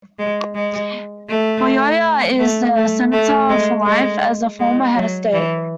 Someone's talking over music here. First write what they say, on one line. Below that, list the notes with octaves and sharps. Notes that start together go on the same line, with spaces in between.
Buyoya is a Senator for life as a former head of state.
G#3
G#3
A3
A3
A3
A3
G#3
G#3
G#3
F#3
E3